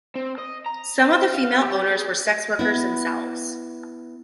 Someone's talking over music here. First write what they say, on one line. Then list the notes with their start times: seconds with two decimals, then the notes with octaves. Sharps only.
Some of the female owners were sex workers themselves.
0.16 C4
0.38 D#5
0.66 A#5
1.07 C5
1.34 F5
1.61 G4
1.91 G#4
2.59 B3 E4